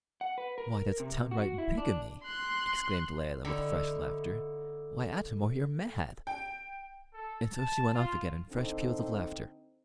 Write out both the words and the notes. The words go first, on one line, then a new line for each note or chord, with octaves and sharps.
"Why, that's downright bigamy!" exclaimed Layelah with fresh laughter. "Why, Atam-or, you're mad!" and so she went off again in fresh peals of laughter.
F#5
B4
A#4
C3
F#4
E4
D4
C6 F#6
D3 D#4 E4
G5
A4
A5
F4
D3 C4 D#4